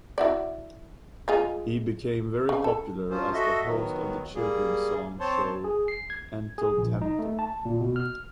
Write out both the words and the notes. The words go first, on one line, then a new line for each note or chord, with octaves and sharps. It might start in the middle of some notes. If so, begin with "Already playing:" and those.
He became very popular as the host of a children's songs show "Entel-tentel".
E4 F#4 D5
G#3 F4 G#4
C#3
A4
F3 F#3 C#4 F4 C5
F#4 A4 D#5 E5
D#3 F#3 B3
G3 A#3 G#4
C4 C5 C#5 A5 C6
G#4
C7
G#6
G#4
A#1
D#4
A3
A5
A#2
B2
F6